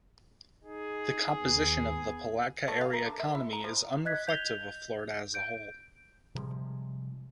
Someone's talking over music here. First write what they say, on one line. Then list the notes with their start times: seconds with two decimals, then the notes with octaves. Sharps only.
The composition of the Palatka area economy is unreflective of Florida as a whole.
0.64 D#4 G#4
1.38 D#2 B3
2.68 A3
2.81 F5
2.93 A#4
3.06 D3
3.20 E5
3.35 E4
3.53 A#5
3.64 F3
4.05 D#5 F#6 G#6 B6
4.27 G6 F7 G7
5.34 G6 D7
6.35 C3 F3 G3 G#3